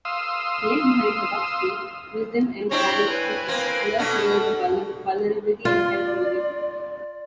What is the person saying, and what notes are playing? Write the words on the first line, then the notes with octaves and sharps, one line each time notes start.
Yet behind her tough street-wisdom and promiscuity, lurk layers of vulnerability and self-loathing.
F5 C6 D#6 E6
C4 D4 E4 C#5 G5
B4 G#5
A#3 C4
B2 A3 D4
F4 D5